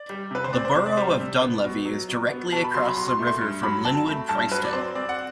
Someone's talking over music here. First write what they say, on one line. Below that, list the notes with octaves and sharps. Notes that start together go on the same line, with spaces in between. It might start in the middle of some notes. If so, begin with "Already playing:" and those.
The borough of Dunlevy is directly across the river from Lynnwood-Pricedale.
Already playing: D5
G3
C3 B4
C5
C4 D5
C5
C3 C5
D5
G3 C5
C3
B3
B2
F#3
B2
B3
B2 A5
B5
F#3 C6
B5
B2 C6
C6
A3
C6
G2
F#3 B5
C4 A5
A3 B5
G2 A5
F#3 B4
D5
C4 C5
C4 D5
F#5